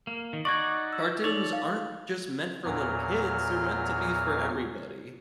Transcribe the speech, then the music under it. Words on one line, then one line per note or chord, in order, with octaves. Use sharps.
cartoons aren't just meant for little kids, they're meant to be for everybody.
A#3
D#3
D#4 F#4 D5 C#6 G#6
E6
D#4 C#5 D5
F5
E2 A#2 F#3 F6